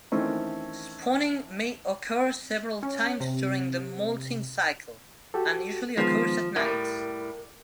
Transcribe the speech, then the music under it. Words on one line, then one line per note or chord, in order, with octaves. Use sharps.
Spawning may occur several times during the moulting cycle, and usually occurs at night.
D#3 E3 A3 C4 C#4
C#4
C3
F#4 G4 A4
D#3 F3 G#3 B3
A2 G3 A#4